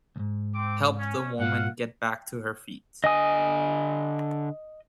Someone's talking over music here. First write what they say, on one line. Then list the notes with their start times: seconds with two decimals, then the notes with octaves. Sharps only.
Help the woman get back to her feet.
0.16 C2 G#2
0.55 C4 D6
0.98 C#4
1.39 G#2 F4 F5 F#5
3.04 D3 D#5 G#5 D#6